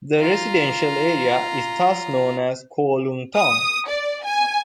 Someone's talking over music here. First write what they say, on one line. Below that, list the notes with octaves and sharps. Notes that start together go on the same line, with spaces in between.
The residential area is thus known as Kowloon Tong.
F4 A#5
D#6
D5
G#5